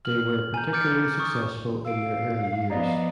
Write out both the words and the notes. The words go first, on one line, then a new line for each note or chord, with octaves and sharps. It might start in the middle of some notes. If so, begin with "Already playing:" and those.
They were particularly successful in their early years.
F6 F#7
G#5 A#5 G6
D6 F6 G6 A6 C#7 D7
G#5
C#6 D#6
F5 E6 D7
F3 B3 D5 D#5 A#5